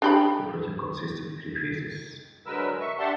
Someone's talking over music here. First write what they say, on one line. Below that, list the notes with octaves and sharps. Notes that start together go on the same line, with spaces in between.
The project consists of three phases.
D4 G4 B5
D3 F#3 G#3 A#4 B4 E6
E5 C#6
D4 G4 E5 F#5 A5 C6